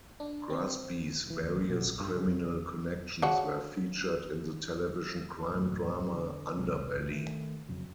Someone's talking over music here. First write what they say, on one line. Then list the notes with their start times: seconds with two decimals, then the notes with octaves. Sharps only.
Grassby's various criminal connections were featured in the television crime drama "Underbelly".
0.20 D4
0.50 C4
1.30 E3
1.43 D#2
1.55 A1
1.69 B2
1.85 A#1
2.00 G2
2.15 C#3
2.27 F2
2.45 C#3
3.22 C#3 D4 F#4
5.51 D1 A1 F#2
6.13 D3
6.57 C2 G#3 C#4
6.94 A1 D2 E3
7.08 D#3 A3
7.69 F2 C#3 F#3